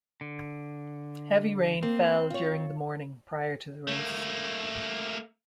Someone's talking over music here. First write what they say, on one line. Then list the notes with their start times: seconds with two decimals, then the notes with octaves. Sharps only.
Heavy rain fell during the morning prior to the race.
0.21 D3
1.83 A#3 C4
2.30 F4 C#5
3.88 A3 A#3